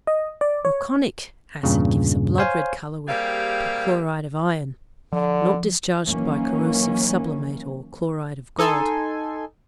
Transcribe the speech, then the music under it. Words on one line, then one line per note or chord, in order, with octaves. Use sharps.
Meconic acid gives a blood-red colour with perchloride of iron, not discharged by corrosive sublimate or chloride of gold.
D#5
D5
C#5
E2 G2 A#2 C#3
C5 C#5 F5 G#5
G3 A#3 C4 G4 G#4 F5
D3 F3
D#3 E3 F#3 A#3 C#4
D#4 A4 G#5 C6